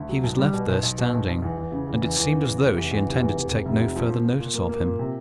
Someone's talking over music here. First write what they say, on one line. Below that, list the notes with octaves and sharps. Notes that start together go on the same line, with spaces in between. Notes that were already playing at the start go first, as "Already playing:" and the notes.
He was left there standing, and it seemed as though she intended to take no further notice of him.
Already playing: D2
F#3
B1
G3
B2
B1
B1
B2
B1
B1
E2
E2
C#3
E2
E2
E2
C#3
E2
F1
E2
E2
F1
E2
F1
F1
F1
F3
F3
A#2
A#2
A#2
A#3
A#3
A#2
C3